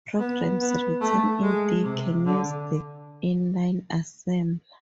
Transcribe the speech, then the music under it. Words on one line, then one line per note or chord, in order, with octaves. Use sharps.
Programs written in D can use the inline assembler.
B3
B3
A3
G#3
C3
D3